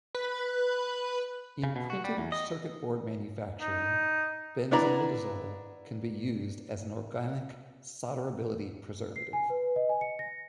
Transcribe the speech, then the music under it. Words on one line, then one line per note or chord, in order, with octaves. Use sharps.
In printed circuit board manufacturing, benzimidazole can be used as a organic solderability preservative.
B4
C#3
B2
F#4
G3
E2
D#5
D#4
B3 D4 E4 D5 A#5
C7
G#5
B4
D#5
G#5
C#7
A#6